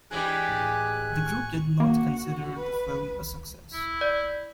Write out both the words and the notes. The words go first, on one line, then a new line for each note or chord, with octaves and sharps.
The group did not consider the film a success.
E3 G#3 D4 G4 G#5 F#6
A2
C#6
A#3 F#4
B4
E4
D5